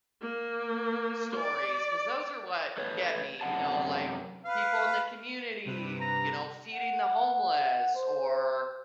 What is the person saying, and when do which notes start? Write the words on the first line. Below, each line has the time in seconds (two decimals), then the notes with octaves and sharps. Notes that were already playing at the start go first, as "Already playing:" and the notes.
stories, 'cause those are what get me, you know? Like, people in the community, you know, feeding the homeless or,
0.22 A#3
1.36 D5
2.78 A3 B4 C#5
3.41 F#2 C3 E4 F#5 A5
4.45 B4 F5
5.65 G2 C3 B4
6.00 A#5
6.73 F#5
7.95 C5